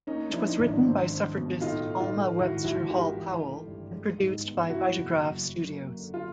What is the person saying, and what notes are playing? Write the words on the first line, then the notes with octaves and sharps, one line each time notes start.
It was written by suffragist Alma Webster Hall Powell and produced by Vitagraph Studios.
A#3 C#4 D#4
F3 D4 E4
D#4
G#1 D4 E4
C4
C4
B2
A2 D#4 F4
A2
D#4 F4
A3
G#1 E4 F#4
G#1 E4 F#4
D#3 F4 G4
E3
A3
G2
G#3
G#2
B3
E3 E4 F#4
F#1
F#2
F#3
A#3
D3
F4